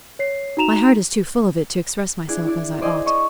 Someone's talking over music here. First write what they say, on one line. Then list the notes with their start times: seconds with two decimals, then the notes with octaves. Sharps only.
My heart is too full of it to express myself as I ought.
0.19 C#5 C7
0.57 D#4 F#4 A#5 E7 F7
2.28 D4 E4 G#4
2.47 E4 D5
2.81 C5 D5 D#5 G#5
3.06 D#5 C#6 D#7 E7